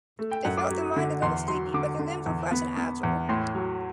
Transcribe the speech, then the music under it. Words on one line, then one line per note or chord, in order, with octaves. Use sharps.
They felt their mind a little sleepy, but their limbs were fresh and agile.
A3
G5
F#2 F#5
D6
F#3
D3
E2 C6
F#3 C6
D3 D6
D3
E2
B3
B3
E2
A2 C6
F#3